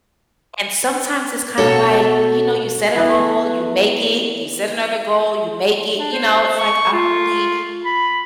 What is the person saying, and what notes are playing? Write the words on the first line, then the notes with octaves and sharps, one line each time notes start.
And sometimes, it's kinda, like, you know, you set a goal, you make it. You set another goal, you make it. You know, it's like, I don't really
B2 F#4 A4 C#5
E3 B3 E4
D4
C5
C#6
F4
B5